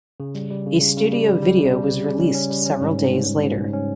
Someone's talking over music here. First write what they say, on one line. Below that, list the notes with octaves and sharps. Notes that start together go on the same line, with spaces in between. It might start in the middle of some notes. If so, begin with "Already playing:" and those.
A studio video was released several days later.
C#3
G3
G3
C#3
C#3
C#3
G3
G3
G3
C#3
G3
C#3
G3
C#4
C#4
G3
C#4
G#2
G#2
G#2
G#2
G#2
G#2
C#4